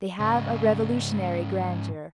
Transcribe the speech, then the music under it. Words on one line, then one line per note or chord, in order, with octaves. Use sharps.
They have a revolutionary grandeur.
G#2 C#3